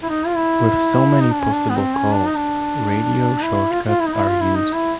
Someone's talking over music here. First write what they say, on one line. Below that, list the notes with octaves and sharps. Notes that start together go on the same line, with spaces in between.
With so many possible calls, radio shortcuts are used.
E4
D#4
F4
E4
D#4
D4
C#4
D4
B3
C4
C#4
D4
D#4
D4
E4
F4
F4
E4
D#4
E4
F4
E4
D#4
E4